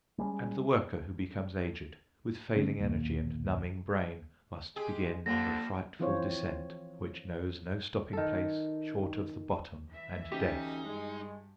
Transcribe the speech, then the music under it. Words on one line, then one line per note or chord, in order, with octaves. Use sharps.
And the worker who becomes aged, with failing energy and numbing brain, must begin the frightful descent which knows no stopping-place short of the bottom and death.
G3 G#3 A#3 C#4
D3 A3 C4 C#4
A#1 D#2 B2 A#3
G#3 G4 G#4
D3 F3 G3 A#3 F4 A#6
E3 F3 C4 F4 C5 C#5
D#3 A4
E3 E5
D2 C#4 D#4 G4
G2 G#3